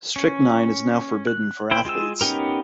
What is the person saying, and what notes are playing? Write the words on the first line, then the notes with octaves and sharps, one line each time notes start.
Strychnine is now forbidden for athletes.
C#4
F#6
E4 C5 G5
G#3 F4 G#4 E6
B3 C#4 D#4 G4 A#4